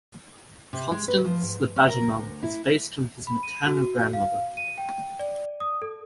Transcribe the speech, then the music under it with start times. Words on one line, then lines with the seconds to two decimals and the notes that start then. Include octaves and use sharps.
Constance the Badgermum is based on his maternal grandmother.
0.73 C3
0.91 G#3
1.08 B4
1.24 F3
1.42 G#2
1.76 C#4
1.88 A#4
2.12 D2
2.43 E4
3.27 B5
3.43 D#7
3.66 F#4
4.13 F5
4.57 D#7
4.78 G5
5.19 D5
5.60 D#6
5.82 A4